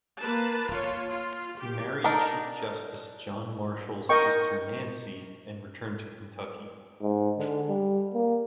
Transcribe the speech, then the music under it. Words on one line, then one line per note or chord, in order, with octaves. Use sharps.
He married Chief Justice John Marshall's sister Nancy, and returned to Kentucky.
A#3 B4 A5
F4 C#5
F4
G4
D4 D#4 A#4 A5
A#4 D#5 G5 C#6
G#2
D3
G3
A#3